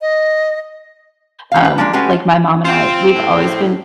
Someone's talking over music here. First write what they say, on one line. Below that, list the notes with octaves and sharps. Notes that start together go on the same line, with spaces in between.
um, like, my mom and I, we've always been
D#5
C#4 F5
B4
F3 G#3 A#3 D4
G#3 A3 C#4 F#4 G4 B4
F4
F4 C5 G5
A2